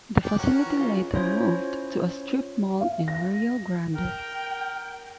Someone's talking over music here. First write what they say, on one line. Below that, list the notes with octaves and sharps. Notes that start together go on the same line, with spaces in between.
The facility later moved to a strip mall in Rio Grande.
D4 D5 G5
C#4 F#4 A#4
E3
C#4 F4 G#4
C#4 E4 F4 C5 C#5
F5
A#6
A#4 G5